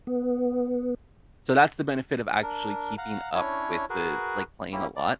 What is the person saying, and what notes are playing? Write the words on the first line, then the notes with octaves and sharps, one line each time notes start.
So, that's the benefit of actually keeping up with the like, playing a lot,
B3
D4 A#4
F5 F#5 A#5
C#4 D4 E4 C#5
F#4 G#4 A#4 B4
A#3 C#4 E4 G4
D5